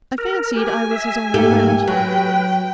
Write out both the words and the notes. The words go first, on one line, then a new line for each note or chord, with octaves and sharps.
I fancied I was his only friend.
A#4
G4 G#5
E5
G#2 A3 A#3 G4 A4
F#3 B4 G5